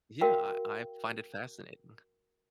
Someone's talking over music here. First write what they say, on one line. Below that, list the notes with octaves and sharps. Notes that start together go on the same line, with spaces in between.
Yeah, I I find it fascinating.
F#4 A#4 F5 G5